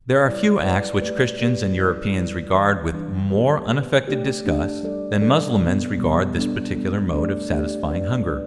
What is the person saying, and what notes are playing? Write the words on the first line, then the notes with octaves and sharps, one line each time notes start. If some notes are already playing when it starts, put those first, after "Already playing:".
There are few acts which Christians and Europeans regard with more unaffected disgust, than Mussulmans regard this particular mode of satisfying hunger.
G3 E4 B4 D5
G3 E4 B4 D5
A3 G4 B4 D5
A3 G4 B4 D5
G3 E4 B4 D5
G3 E4 B4 D5
E3 G3 D4 B4
E3 G3 D4 B4
B3 G4 B4
B3 G4 B4
A3 D4 G4 D5
A3 D4 G4 D5
G3 D4 A4 D5
G3 D4 A4 D5
B2 G3 B3
B2 G3 B3
G3 B3 D4 A4
G3 B3 D4 A4
A3 D4 G4 D5
A3 D4 G4 D5
G3 D4 B4 D5
G3 D4 B4 D5